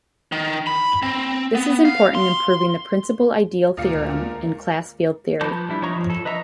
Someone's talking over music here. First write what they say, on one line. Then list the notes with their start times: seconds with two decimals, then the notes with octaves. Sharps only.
This is important in proving the principal ideal theorem in class field theory.
0.32 D#3
0.67 B5
1.03 C4
1.55 B3
1.85 F5
2.15 C6
3.77 D2 A#2 G#3 A#4 F5 C#7
5.41 F3 B4 A5 D6 G6
5.69 G3 D4 E4
5.82 F3 D#4 C#5 A#5 C#6
5.96 F3
6.10 A4
6.25 B4 D#5 E5 A#5 E6